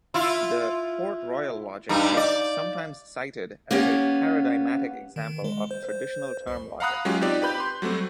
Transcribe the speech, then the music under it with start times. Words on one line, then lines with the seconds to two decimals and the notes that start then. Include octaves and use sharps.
The "Port-Royal Logic" is sometimes cited as a paradigmatic example of traditional term logic.
0.14 E4 F4
1.89 G2 G3 D#4
2.17 D5
3.71 A#3 B3 C#4 G4
5.16 D#3
5.44 G#3
5.71 C5
5.88 C5
6.47 C2
6.80 F5 F#5 A#5 B5 D#6 F#6
7.05 F#3 G#3 C#4 F4 G4 G#4
7.21 C4 D#4 F4 G4 D5
7.42 G4 B4 B5 G6
7.60 C6
7.82 F#3 G3 A3 C4